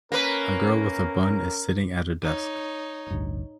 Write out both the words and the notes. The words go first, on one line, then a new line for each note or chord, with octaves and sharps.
A girl with a bun is sitting at a desk.
A#3 C#4 A#4 B4
D#4 C#5
A1 D2 G2